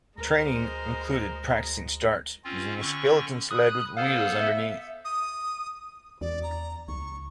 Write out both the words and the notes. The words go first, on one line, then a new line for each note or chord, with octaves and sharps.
Training included practicing starts using a skeleton sled with wheels underneath.
D2 G#3 A#4 C5 A#5
C4 C#4 F4
D3 C#4 C#6
B5 D#6 F#6
B3 A4 C5 F5
E5
D#6
E2 D5
A#5
C#2 C#6